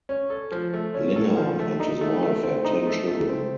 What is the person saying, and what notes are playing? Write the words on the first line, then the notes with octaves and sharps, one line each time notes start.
Linger and his wife had ten children.
C#4
A4
F3
A3
C#4
A4
F3
A3
D#4
A3
A3
C4
D#4
A3
A3
C4